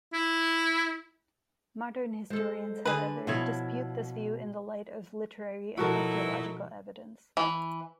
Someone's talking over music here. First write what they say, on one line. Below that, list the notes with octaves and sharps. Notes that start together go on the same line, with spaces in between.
Modern historians, however, dispute this view in the light of literary and archaeological evidence.
E4
G#3 A4 C5
D3 G#4 B4
B2 F3 E4 C#5
B2 F3 F#3 D#4 E4 F#4 A4 A#4
E3